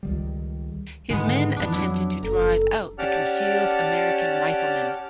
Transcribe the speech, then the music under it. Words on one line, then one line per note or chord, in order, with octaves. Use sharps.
His men attempted to drive out the concealed American riflemen.
C#2 D#3 G3
G#2 D3 D#3 G#3 B3
F2 E3 B3 D4
F#3 E4
F#1 A4 A#5
C#4 G4 D5 F#5 A5 F6